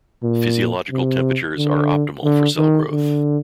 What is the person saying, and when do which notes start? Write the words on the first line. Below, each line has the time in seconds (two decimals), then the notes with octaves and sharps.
Physiological temperatures are optimal for cell growth.
0.23 A#2
0.91 C3
1.57 D3
2.24 D3
2.58 D#3
2.91 D3